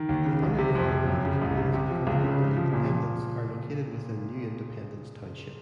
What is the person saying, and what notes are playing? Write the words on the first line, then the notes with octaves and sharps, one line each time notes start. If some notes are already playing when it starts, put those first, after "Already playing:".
The unincorporated communities of Culver and Independence are located within New Independence Township.
Already playing: D#3
D#2
C#3
C2
C3
F2
C3
F#2
C#3
C2
C3
C3
F3
C#2
C#3
C3
F3
A#2
F3